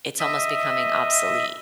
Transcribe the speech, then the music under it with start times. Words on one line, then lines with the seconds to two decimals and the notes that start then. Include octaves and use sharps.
it's almost becoming obsolete.
0.19 D#5 E5